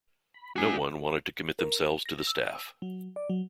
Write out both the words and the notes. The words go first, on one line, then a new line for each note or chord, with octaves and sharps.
No one wanted to commit themselves to the staff.
B5
G#3 D4 F#4 G#5
A#4
A#6
E6
F#3
D5
F#3